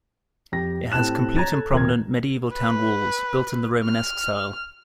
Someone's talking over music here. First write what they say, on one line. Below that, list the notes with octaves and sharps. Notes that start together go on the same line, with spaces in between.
It has complete and prominent medieval town walls, built in the Romanesque style.
F2 G4 A#6
A2 C4 G4 A5 F#6 E7
C#5 A#5 G#6 A6
A4
D#1 A#4 A#5 G#6
B4
F6